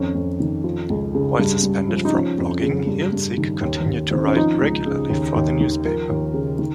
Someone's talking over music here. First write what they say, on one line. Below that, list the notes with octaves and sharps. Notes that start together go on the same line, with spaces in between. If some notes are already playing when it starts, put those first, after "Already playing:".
While suspended from blogging, Hiltzik continued to write regularly for the newspaper.
Already playing: F2 D#3 C#4
F2
D#3
F3
C#2
C#3
G2
G2
F3
D#4
F3 C#4
F2
C#3
G2
G2
D#3
D#2
D#2
D#3 C4
C#4
F3 D#4
C#2
C#3
D#2
D#2
D#3
F3 A#4
D#2
C#3
D#3